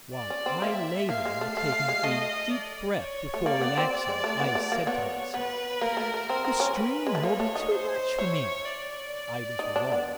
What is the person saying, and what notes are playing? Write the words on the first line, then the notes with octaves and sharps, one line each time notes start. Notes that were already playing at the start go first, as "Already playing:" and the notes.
While I lay there, taking a deep breath before relaxing, I said to myself, "The strain will be too much for me." I was wrong.
D5
C#4
C4
A#3 E5
A#3 F5
G#3
A3
A3 F5
A3
G#3
A3 D#5
D5
C#5
A3
A#3 D5
B3
C4
D5
G#3
A3
B3
A3
A#3
B3 C#5
B3 B4
A#3 A#4
A3
A3
C4 A#4
C4
C#4
B4
G#3
A3
A#3 C#5
A3
D#4
C5
E4 C#5
D5
D#4
D4
B3